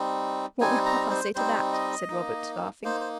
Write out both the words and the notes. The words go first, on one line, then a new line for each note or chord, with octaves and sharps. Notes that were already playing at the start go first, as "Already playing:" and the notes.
"What would papa say to that?" said Robert, laughing.
Already playing: G3 C4 D#4
G3 C4 D#4 G#5
A#5
C5
G3 C4 D#4 C5
D#5
A#3 D#4
A#3 D#4 C5
C5